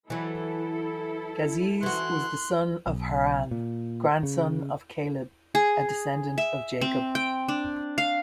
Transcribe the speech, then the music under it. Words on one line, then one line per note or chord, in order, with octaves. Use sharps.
Gazez was the son of Haran, grandson of Caleb, a descendent of Jacob.
E3 F#3 E4 A4
E3 F#4 C6 F#6
B1
A#2
C#3
G#4
E5
C4
G5
D4
F5